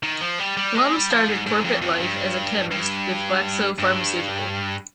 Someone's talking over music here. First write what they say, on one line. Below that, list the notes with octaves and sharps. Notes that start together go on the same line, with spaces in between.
Lum started corporate life as a chemist with Glaxo Pharmaceutical.
D#3
F3
G3
G3
G#3
G3
F3
G#2
G#2
F2
F2
G2
G2
G2